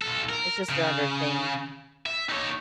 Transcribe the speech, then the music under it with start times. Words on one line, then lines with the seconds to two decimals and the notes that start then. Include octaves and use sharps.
It's just another thing.
0.02 B1 A4
0.29 A#4
0.69 C#3
2.06 E5
2.29 D#4 C#5